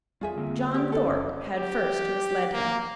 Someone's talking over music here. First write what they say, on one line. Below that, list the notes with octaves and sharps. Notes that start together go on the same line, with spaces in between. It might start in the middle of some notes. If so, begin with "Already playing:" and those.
John Thorpe had first misled him.
E2 G3 F4 G#4 E5
D3 A#3 C4
G4 D5
A4
F#1 C#4
G4
A#3